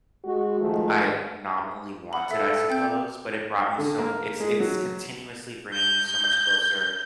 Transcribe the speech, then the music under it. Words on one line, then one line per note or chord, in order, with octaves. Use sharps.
I nominally wanted, I suppose, but it brought me some it's it's continuously bringing me so much closer
G#3 F#4
D#3 F3 G#3 A3
F#5 B5
A4 E5
C4 G5 G6
D3
A#3
G#3
F#3
G6